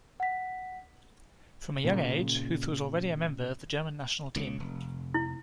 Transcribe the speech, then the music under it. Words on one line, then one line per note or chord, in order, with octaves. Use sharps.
From a young age, Huth was already a member of the German national team.
F#5 B6
A#2 C#3
C#2 C#3
F1
E4